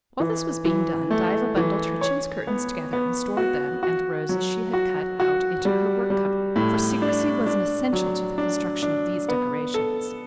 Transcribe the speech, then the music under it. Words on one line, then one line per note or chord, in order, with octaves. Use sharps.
While this was being done, Diva bundled her chintz curtains together and stored them and the roses she had cut out into her work-cupboard, for secrecy was an essential to the construction of these decorations.
E3
E3
A3
E3
C#5
B3
B3
F#4
F#4
F#3
F#4
F#4
G3
G3
A2
D4
D4
F#3
D4
D4
B3
A4